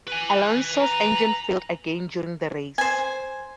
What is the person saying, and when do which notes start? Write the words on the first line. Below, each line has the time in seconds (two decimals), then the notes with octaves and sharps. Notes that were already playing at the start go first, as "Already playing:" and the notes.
Alonso's engine failed again during the race.
0.08 B4 G#5
0.80 A#5
2.78 C5 G#5